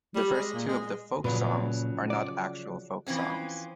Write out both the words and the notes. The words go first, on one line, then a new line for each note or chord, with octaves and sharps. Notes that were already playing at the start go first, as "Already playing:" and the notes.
The first two of the "Folk Songs" are not actual folk songs.
G3
G#3
A#2
G#3
A#2 C#3 F3 F#3 B4
D5
E3 F3 C4 C#4